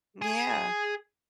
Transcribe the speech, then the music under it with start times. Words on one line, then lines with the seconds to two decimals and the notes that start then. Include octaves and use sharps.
Mm, yeah.
0.22 G#4 G#5